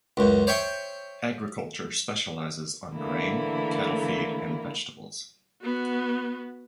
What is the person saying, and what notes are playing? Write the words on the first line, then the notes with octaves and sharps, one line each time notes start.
Agriculture specialises on grain, cattle feed and vegetables.
C#2 F#2
C5 C#5 E5 G5 C#6
D3 E3 A3 A#3 E4
B3 F#4